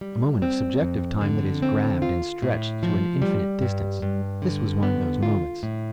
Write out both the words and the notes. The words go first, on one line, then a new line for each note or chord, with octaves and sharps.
A moment of subjective time that is grabbed and stretched to an infinite distance. This was one of those moments.
G3
C4
F2
D3
C4
F4
A2
F3
G3
G2
G2
D3
B3
F4
A2